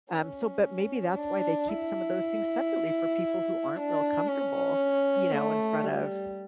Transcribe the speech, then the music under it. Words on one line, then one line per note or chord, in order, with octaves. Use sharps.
Um, so but maybe that's why they keep some of those things separately for people who aren't real comfortable, you know, in front of,
C#4
D4
E4
D4
C#4
A3
G3